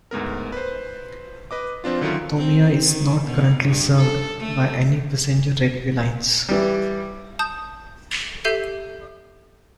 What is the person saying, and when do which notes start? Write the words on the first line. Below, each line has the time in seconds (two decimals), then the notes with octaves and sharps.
Tomiya is not currently served by any passenger railway lines.
0.11 D2 G#2 B3 A#4
0.52 B4 C5
1.51 B4 D#5 D6
1.84 F3 C4 D4 F4
2.01 D3 D#3 F#3 C#4 E4 F4
2.37 C4
2.85 D#3
3.25 B2
3.66 G2
3.97 A4
4.39 A3
6.49 E3 G3
7.39 A5 D#6 G6
8.44 G4 A4 E5 G6 C7 D#7